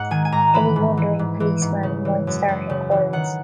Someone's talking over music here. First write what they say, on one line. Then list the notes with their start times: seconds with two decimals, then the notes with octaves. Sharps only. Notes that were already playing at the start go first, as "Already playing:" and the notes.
Any wandering policeman might start inquiries.
Already playing: G#2 D#5 F#5
0.11 D#3 G#5
0.25 G#5
0.32 G#2 A#5
0.54 E3 B5
0.76 G#2
0.97 E3
1.19 G#2
1.40 E3
1.62 G#2
1.83 C#3
2.05 E3
2.27 F#2
2.48 F#2
2.70 C#3
2.91 E3
3.13 D#3 F#5